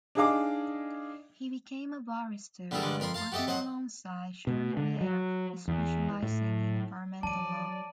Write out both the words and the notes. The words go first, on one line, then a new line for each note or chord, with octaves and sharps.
He became a barrister, working alongside Cherie Blair, specialising in environmental law.
D4 D#4 G#4 D#5 F5 D6
D3 G3 A3 E4 G#4 A#4
G2 D3 G3 G#3
F2 A#4 B5 C6
F5 A5 A#5 C6
F#4 G4 A4 D#5 E5
F#3 C5 D#5 F#5
B2
D3
F#3
E2
A2
E3 F#3 D5 A5 D#7